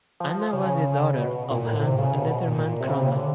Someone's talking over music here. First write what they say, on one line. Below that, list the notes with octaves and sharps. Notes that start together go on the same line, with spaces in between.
Anna was the daughter of Hans Detterman Cronman.
F3
C#3
B2
A#2
A2
C3
C#3
B2
A#2
C3
C#3
C3
C#3
D3